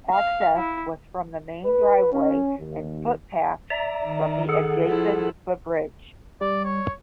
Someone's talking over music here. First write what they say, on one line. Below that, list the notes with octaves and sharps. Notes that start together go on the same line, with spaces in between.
Access was from the main driveway and footpaths from the adjacent footbridge.
F5
E4
B4
C#4
D#2
D5 E5 A#5
D#3
G#4 A4 F#5
F3 E4
G3 D5
C#5